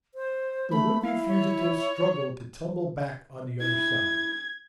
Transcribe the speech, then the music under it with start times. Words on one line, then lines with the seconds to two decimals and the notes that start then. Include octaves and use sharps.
The would-be fugitive struggled to tumble back on the other side.
0.15 C5
0.71 A3 B5
1.03 E4 F5
1.28 C#5
3.60 E4 G#6